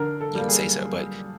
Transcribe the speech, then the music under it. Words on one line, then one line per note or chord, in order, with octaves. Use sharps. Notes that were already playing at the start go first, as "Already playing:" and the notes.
you can say so, but
Already playing: D3 A#4
A4
G3 A#3
G#4